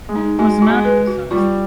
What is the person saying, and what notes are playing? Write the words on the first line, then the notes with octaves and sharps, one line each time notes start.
He was married to Sarah Still.
G#3
D#4
G#3 F#4
F#4
G#3
B4
F#4
G3 F4